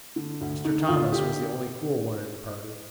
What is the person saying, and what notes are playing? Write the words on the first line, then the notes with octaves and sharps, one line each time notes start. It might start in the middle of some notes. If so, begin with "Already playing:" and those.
Mr. Thomas was the only cool one in the party.
D3
D2
D3 D#4
D2 F4
D3 G4